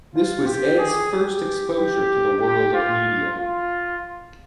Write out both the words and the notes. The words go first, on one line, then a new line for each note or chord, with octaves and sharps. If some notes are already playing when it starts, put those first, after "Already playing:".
This was Ed's first exposure to the world of media.
F4
G4
G#4
G4
G4
G4
F4
F4